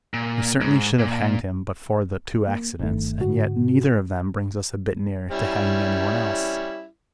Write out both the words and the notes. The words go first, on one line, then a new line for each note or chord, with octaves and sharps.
"We certainly should have hanged him but for the two accidents, and yet neither of them brings us a bit nearer to hanging any one else."
A#2
G#2
A#2
A#3
G1 G2 D#3 A3
G#2 D3 F#4
G3 C#4 E4